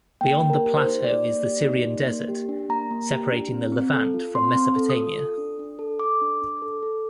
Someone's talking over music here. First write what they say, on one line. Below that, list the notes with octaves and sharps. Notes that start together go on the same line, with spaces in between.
Beyond the plateau is the Syrian desert, separating the Levant from Mesopotamia.
A#3 G5
A#3
A#4
G4
C5
D#4
A#3 D5
A#3
G4
D#4
A#3
A#3
G4
D4
A#3 A#5
A#3
G4
D4
C4
C4
A4
F4
C4 C6
C4
A4
D#6
F4
A4
D4
D4
A4
A4 D6
D4
D4
A4
A4